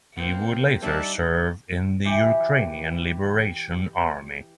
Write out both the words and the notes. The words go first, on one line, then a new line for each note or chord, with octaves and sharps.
He would later serve in the Ukrainian Liberation Army.
A#3 C4
G3 D4 D#4 D5 E5 A5
E3 G4